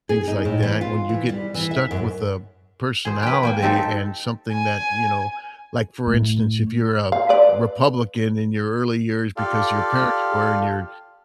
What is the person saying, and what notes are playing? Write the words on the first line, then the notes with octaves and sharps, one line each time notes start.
things like that. When you get stuck with a personality and something that, you know Like, for instance, if you're a Republican in your early years because your parents were and you're
G#4
D#4
A2
E3
F4
E3
G3
E3
E5
F#2
G#4 C5
B4 G5
A#3 G5 G#5
C4 D#4 G4 A4
G#5
A2
F5
B4 D5
F4 G4 A4 D5 F5